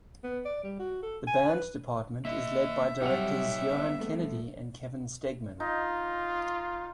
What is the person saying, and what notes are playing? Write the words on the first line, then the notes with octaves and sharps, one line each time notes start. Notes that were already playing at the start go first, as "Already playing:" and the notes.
The band department is led by directors johann kennedy and Kevin Steggmann.
B3
D5
G3
F#4
A4
G#5
B4
A#3 D#5 E5
C3 F#3 G3 D#4 G4 C#5 F#5 F7
G3 B3 C4
A3
D#4 F4